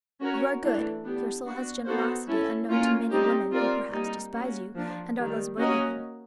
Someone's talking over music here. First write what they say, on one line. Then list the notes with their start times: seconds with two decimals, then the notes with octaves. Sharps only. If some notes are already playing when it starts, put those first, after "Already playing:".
You are good, your soul has generosity unknown to many women who perhaps despise you, and are less worthy than you.
0.21 C#4 F#4 A#4 C#5
0.62 E3 A3 D4
1.03 B3 D4 G4
1.45 B3 D4 F#4
1.86 B3 D#4 F#4 A4 C5
2.27 C#4 E4 A4
2.69 A#3 C#4 F4
3.09 G3 C4 D#4 G4
3.51 C4 F4 A#4 D5
3.92 G3 A#3 D#4
4.33 A#3 C#4 F#4
4.75 F3 A#3 D4
5.16 D#3 G3 A#3
5.57 A#3 C#4 F#4 A#4 D#5